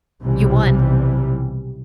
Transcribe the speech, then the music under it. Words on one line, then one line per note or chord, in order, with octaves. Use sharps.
You won.
B1 C3 E3 G3